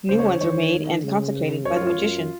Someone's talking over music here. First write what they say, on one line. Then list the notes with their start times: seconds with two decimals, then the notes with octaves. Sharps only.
New ones are made and consecrated by the magician.
0.09 C#3 C5
0.19 C#5
0.30 C5
0.40 D#3 C#5
0.52 C5
1.03 C#3
1.65 F#2 C#5
1.76 F4
1.87 F4
1.97 F#2